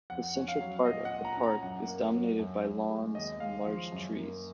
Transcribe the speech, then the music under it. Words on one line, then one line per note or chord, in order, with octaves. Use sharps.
The central part of the park is dominated by lawns and large trees.
F2 F#5
C#4
F5
F#3
A#2 D#5
F#5
A#2
A#5
C#4
A#5
F#2 F#5
A#3
F#3
F#2
F#2
G#3
D#2 D#5
G#3 F5
F3
F#2
A#3